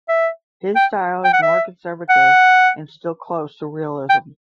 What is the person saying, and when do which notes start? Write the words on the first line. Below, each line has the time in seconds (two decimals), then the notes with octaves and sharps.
His style is more conservative and still close to realism.
0.09 E5
0.76 G5
1.24 G5
1.33 F#5
1.42 E5
2.10 F#5
4.09 G5